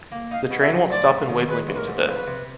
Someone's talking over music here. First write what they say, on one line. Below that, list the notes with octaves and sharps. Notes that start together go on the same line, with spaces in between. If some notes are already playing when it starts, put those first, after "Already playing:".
The train won’t stop in Waiblingen today.
A#3
D#4 F5
B2
E5
F#3
A1 D5
G#2
D#3
G#3 B4
A1
B4
A#4
G#2
F2 B4
C3